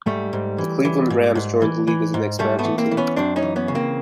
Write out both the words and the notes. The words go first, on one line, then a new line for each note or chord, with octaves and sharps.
The Cleveland Rams joined the league as an expansion team.
G#2 G3 A3
G#2
E3
E3
G#2
G#2
E3
E3
G#2
G#2 G3 A3
A3 B3
E3
A#3 C4
E3
B3 C#4
F#2 C4 D4
C#4 D#4
E3
B3 C#4
C#3
A#3 C4